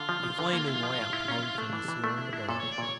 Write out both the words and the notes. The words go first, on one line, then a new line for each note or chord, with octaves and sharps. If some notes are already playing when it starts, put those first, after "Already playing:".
A flaming lamp hung from the ceiling above.
Already playing: D3 F4
F3
F3
D3
A#3
E4
F3
A2
E4
C#4
E4
A3 D4
E3
E3
A3
E4
E4
A#2 A4
A3 C#5
D5
A#2 C#5